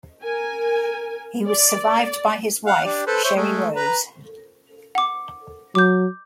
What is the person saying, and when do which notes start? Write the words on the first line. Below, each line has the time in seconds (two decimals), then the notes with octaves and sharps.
He was survived by his wife Sheree Rose.
0.23 A#4 G#5
1.44 D5
2.66 F5 F#5
2.85 D4 G4 D5
3.07 A4 B4 C5
3.24 C5 C#5 E5
3.36 G#3 A3
3.76 B4 A#5
4.95 F#5 D6
5.75 F#3 D6 G6